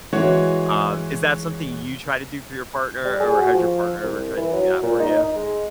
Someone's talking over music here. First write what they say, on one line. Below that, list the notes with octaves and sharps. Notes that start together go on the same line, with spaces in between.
Um, is that something you try to do for your partner, or has your partner ever tried to do that for you?
E3 G#3 F#4 C#5
G3
G#4
F#4
F3
C2
E3
F#3
A#2
D#4
D#4
G#3